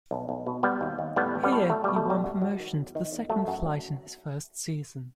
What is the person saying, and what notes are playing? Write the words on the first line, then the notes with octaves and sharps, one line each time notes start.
Here, he won promotion to the second flight in his first season.
B1
B1
B2
F#3 G3 B3
D#2
D#2
A2 G3 B3
A1
G3 B3
A2
F#3 A3
B2 G3
A3
B2 G3
F#2
F#3
D#3
E2
D#3
E2
F#3 A3
F#2
F#3